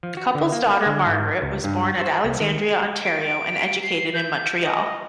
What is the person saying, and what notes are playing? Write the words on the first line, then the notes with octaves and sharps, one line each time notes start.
The couple's daughter Margaret was born at Alexandria, Ont., and educated in Montreal.
F3
F#4
D3
A#3
A#3
D3
G#2
C#2
G2
C5
C2
D#3
D7
C7
G6
D#5